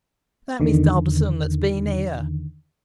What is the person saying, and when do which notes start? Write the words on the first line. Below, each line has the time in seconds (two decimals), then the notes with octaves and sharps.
"That Miss Dobson that's been here."
0.60 E2 D3 D#3